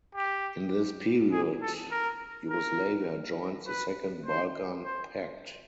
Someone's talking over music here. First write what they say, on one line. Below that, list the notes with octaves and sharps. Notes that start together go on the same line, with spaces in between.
In this period Yugoslavia joined the Second Balkan Pact.
G4
G#4
A4
A#4
A#4
B4
C5
C5